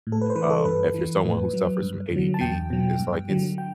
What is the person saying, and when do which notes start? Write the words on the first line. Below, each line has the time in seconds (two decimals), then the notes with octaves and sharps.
um, if you're someone who suffers from ADD, it's like it's
0.07 A2
0.12 A4
0.22 B4
0.30 C5
0.36 E3 B4
0.50 A4
0.65 G2 B4
0.94 E3
1.24 A2
1.54 F#3
1.82 G2
2.11 D3 F#3
2.34 A5
2.41 E2 G5
2.70 B2 F#3
2.99 G2
3.29 D3 F#3
3.58 G5